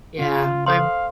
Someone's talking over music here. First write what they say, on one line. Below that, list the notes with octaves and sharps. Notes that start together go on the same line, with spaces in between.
Yeah. I'm
C#3 C#4 F4
A4 C5 F5 C6